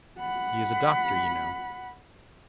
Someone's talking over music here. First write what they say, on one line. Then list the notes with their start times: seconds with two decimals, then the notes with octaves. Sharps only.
He is a doctor, you know.
0.19 F#5 B5